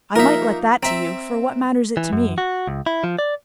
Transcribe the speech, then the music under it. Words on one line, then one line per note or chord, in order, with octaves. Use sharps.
I might let that to you, for what matters it to me?
F3 A#3 D#4 A#4 E5
C4 E5 A#5
E3
F#2
F#4
C#2
E4
F3
D5